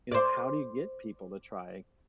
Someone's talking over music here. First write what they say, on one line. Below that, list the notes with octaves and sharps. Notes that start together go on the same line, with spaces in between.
you know, how do you get people to try,
C5 D5